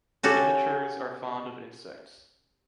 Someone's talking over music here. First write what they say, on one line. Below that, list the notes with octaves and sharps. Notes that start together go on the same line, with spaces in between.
Immatures are fond of insects.
C#4 F#4 G4 A4